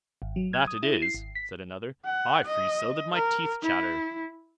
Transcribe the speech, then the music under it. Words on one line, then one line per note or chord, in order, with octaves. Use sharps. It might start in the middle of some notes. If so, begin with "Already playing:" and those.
'That it is', said another; 'I freeze so, that my teeth chatter.'
G#1
F#3
G#6
D#6
E4
C7
G#1
B6
F#5
D#5
A#4
E4